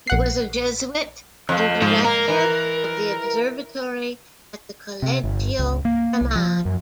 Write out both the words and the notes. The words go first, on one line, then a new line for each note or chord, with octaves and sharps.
He was a Jesuit and director of the observatory at the Collegio Romano.
A#1 F#5 C7
F2 F3
G#2 F3
A#3 A#4
E3
C3
G1
C#2
A#3
C2
F3
F#2